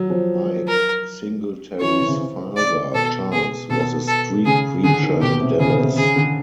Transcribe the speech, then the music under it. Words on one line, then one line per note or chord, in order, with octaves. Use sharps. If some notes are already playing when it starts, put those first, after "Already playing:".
Mike Singletary's father, Charles, was a street preacher in Dallas.
Already playing: F#3
F3
A#4
E3 C#5
C3
C#3
C3
D5
B2 A4
G#4
B2 A4
A4
C#3 G#4
D3 G#4
D#3
B2 G4
C3
C#3 G#4
B2
C3
C3
C#3 G#4
D3